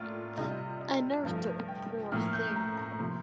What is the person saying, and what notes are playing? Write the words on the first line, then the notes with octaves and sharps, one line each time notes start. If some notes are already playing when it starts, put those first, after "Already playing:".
I nursed her, poor thing!
Already playing: A2 A#3 D4 F4 D5
C3 G3 D4 F4 D#5
D#5
G2 F3 A3 F5
G5
A2 F3 A#3 F6
G6
A#5
A#5
C3 F3 A#3 C6